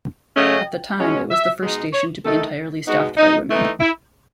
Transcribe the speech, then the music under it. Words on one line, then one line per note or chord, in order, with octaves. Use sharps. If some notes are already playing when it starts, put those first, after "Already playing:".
At the time, it was the first station to be entirely staffed by women.
C#3 F#3 A3 C#4 D#5
B2 G#3 C#4
E5
B2 G#3 D#4
C#5
D#3 A3 D#4 A4
B2 G#3 B3 D#4 F#4
D#4
E3 A3 D#4
E4